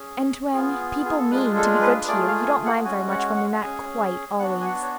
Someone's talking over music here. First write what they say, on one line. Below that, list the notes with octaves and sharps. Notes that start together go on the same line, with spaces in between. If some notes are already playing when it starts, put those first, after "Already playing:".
And when people mean to be good to you, you don't mind very much when they're not quite--always.
Already playing: C#4 G#4
B3 F4 G#4
G#4
A4
G#3 D4 F4 G#4 B4
A4
B4
A3 F4 G#4 D5
F5
G#5
F#5
G#3 C#4 F#4 G#5
F#5
F#5
C#4 G#4 G#5
B3 D4 F#4 F#5
G#5
F#5
C#5